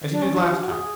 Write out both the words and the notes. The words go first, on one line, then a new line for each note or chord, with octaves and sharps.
As you did last time!
D4
C#4
D4
F4
G4
F#4
G#4